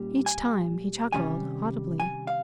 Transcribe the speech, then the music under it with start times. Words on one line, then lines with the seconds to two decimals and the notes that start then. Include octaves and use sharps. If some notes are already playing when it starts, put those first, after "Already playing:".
Each time he chuckled audibly.
Already playing: A#2 G3 C#4
0.26 G#5
1.12 C3 D#3 G3 C#4 G#5
2.00 G#5
2.27 F5